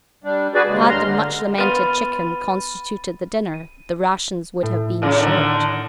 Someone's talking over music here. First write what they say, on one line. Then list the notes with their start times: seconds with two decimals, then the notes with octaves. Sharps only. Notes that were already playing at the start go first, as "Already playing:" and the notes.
Had the much-lamented chicken constituted the dinner the rations would have been "short."
0.24 G3 D4
0.55 F#4 G#4 B4 D5
0.67 D#2 C#3 G#3
0.89 G2 A#5 C6 F6
1.04 D3
1.58 B3 F4 B5 A6 D#7
3.53 D#7
4.63 A2
5.02 A#2 C#3
5.19 D3 D#3